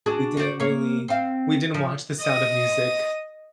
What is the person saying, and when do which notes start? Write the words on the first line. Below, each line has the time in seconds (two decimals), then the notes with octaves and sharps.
we didn't really we didn't watch The Sound of Music
0.06 D4 F#4 G#4
0.37 F#4 C5 D5
0.60 A#3 C#5
1.08 C4 F5
1.74 F3
2.21 D#5 D#6